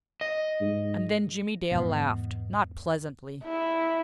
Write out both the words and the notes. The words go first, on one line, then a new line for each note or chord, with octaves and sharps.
And then Jimmie Dale laughed--not pleasantly.
D#5
G#2
E2 G#2 B2
E4